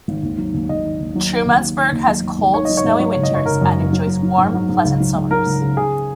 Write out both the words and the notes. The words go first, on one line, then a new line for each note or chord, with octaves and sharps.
Trumansburg has cold, snowy winters and enjoys warm, pleasant summers.
G#1
D#2
F#3
D#2
D#2 D#5
D#3
D#2
F#3
D#3
D#2
F#3
D#3
D#2
F#3
G#1
G#1
D#3 C#5
F#3 D#5
C#5
G#2 D#5
F#3 C#5
F#1 C#5
D#5
F#2 C#5
F#1 A#4
F#2
F#1
F#3
F#3
F#3
G#2
F#3
G#2
C#2
F#3
C#2
F#3 A#4
C#2
C#3
C#3 G#4